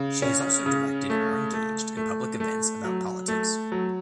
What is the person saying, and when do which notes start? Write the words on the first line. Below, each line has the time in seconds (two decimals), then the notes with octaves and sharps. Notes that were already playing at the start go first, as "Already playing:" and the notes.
She has also directed or engaged in public events about politics.
Already playing: C#3
0.22 C#4
0.66 C#3
1.10 A3
1.54 A3
1.97 A3
2.40 A3
2.84 F#3
3.28 A3
3.72 F#3